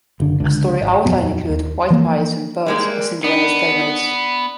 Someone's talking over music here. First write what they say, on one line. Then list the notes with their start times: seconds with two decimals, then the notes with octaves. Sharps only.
A story outline included "white mice and birds" as Cinderella's playmates.
0.20 F#1 D3
0.40 C#2 D3
0.81 G#1
1.05 D#1 F2 F#3 B3
1.49 D#2
1.90 E3 F3 A#3
2.66 G3 G#3 A#3
3.24 B3 D4